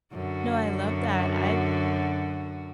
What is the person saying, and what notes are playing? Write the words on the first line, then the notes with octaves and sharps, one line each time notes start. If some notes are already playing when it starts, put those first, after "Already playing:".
no, I love that, I've
F#2 D3 F#4